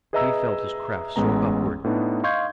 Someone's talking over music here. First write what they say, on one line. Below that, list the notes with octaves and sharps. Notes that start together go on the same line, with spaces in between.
He felt his craft soar upward.
G#4 B4 D#5 E5 A#5 E6
A1 G#3 B3 A#5
A2 B3 D4 D#4
D#5 F5 C6 C#6 G6 G#6